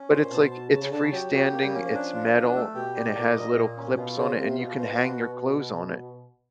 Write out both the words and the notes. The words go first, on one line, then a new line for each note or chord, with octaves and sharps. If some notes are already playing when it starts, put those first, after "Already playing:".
but it's, like it's freestanding, it's metal, and it has little clips on it, and you can hang your clothes on it,
Already playing: C#4
A#2 C5
B2 A5
A5
C#3 A5
C#3
D3 A5
C#3
F#3 G4
F#3 G4
A#3
G3
F#3 C#4
F3
D4
F4
D4
A3
B2 G4
D5
A2 A#4
A#2 D#5
A2
A#2 A#3
C#4
B2 F4
C#3 C5
C3 F4
B2 F4
B2 C5
F#4